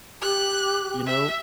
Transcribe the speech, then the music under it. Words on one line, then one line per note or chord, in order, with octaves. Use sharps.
You know
G4 F#6
E5